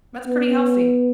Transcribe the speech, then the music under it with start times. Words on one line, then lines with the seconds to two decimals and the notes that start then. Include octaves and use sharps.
that's pretty healthy.
0.27 B3